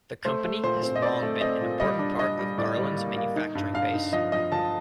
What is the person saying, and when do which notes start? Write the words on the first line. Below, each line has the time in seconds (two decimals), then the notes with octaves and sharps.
The company has long been an important part of Garland's manufacturing base.
0.25 A3 C5
0.45 A3
0.64 A#2 C5
0.83 C4
0.96 D#5
1.02 C4 D5
1.22 A3
1.41 C4 D#5
1.61 A#2
1.80 G3 D#5
1.99 D4
2.19 D4 D#5
2.38 G3
2.58 A2 D5
2.77 G3
2.97 A#3
3.16 A#3
3.36 D#4
3.55 G2
3.74 G2 F5
3.93 D#4
4.13 F3 D#5
4.32 F3 D#5
4.52 F3 A5